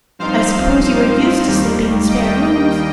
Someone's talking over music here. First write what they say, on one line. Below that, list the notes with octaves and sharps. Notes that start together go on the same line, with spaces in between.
I suppose you are used to sleeping in spare rooms.
G2 F3 C4 D#4 C5 F5
C5 F5
D#2 D#3 G3 A#3
D#5 G5